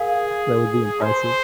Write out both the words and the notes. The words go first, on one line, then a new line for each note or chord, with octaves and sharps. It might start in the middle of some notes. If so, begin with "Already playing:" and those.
That would be impressive.
Already playing: G#4 A#4 F5
C5